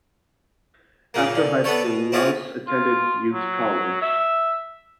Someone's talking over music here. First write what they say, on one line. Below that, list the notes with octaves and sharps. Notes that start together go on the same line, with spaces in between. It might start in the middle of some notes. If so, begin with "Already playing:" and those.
After high school, Lohse attended Butte College.
A#2 C#3 A#3
D3
B3 D4 A4 C#5
B2
C4 E4 F4 G#4 C#5
F4
F#3
E5